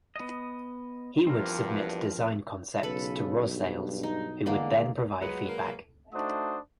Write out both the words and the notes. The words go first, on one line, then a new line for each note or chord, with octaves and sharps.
He would submit design concepts to Rosales, who would then provide feedback.
B3 D#5
E2 G2 F3 C4 A#4
B1 C#3 A4 B4
G2
D#4
E2 D3 G#3 A#3
A#2 F#3 G#3 B3 B4
A#3
A3 D4 D#4 F#4 C5 D#6